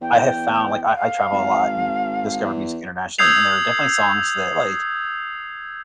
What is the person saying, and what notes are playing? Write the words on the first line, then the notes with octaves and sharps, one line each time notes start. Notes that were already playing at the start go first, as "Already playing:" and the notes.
I have found like, I I travel a lot and discover music internationally, and there are definitely songs that like
E2 G5
F5
G#1
E2
D#6 E6 G6 G#6 C7 F7